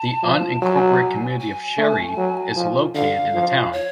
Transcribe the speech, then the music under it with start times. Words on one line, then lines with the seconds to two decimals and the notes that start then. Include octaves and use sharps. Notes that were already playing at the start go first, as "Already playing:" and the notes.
The unincorporated community of Sherry is located in the town.
Already playing: A5
0.23 F3
0.62 F#3 G#5
1.40 G#5
1.78 A3
2.17 F#3
2.56 F3
2.95 D3 F5
3.34 F3
3.73 C#5